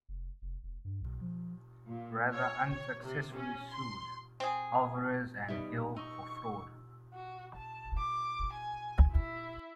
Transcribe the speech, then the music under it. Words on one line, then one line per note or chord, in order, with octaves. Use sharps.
Wrather unsuccessfully sued Alvarez and Hill for fraud.
F1
F1
E1
G2
B1
F3
A#2
C#5
C#5
C3
C#4
C6
C4 G#4
B2 G3 D#4 E5
D#4 C#6 E6
F#4
A5
D6
G#5
E4